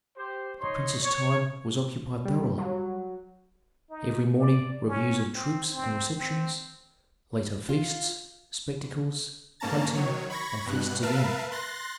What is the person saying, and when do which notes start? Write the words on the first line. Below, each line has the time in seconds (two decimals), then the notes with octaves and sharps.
The prince's time was occupied thoroughly,--every morning reviews of troops and receptions; later feasts, spectacles, hunting, and feasts again.
0.17 G4 C5
0.60 D#4 C#5 C6
1.03 C#5
2.25 G3
2.58 F#3
3.90 D#4
4.39 D5
4.89 C#4
5.34 C4
5.73 C4
6.18 C4
7.69 F4
9.60 G#2 A#3 C#4 A5 A#5 A6
9.95 D#3 F#3 C#5
10.30 B5 C#6 G#6 A#6
10.66 G2 B2 F#6
11.03 A#4 B4 E5 F5 A5
11.51 C6 F#6 A6 A#6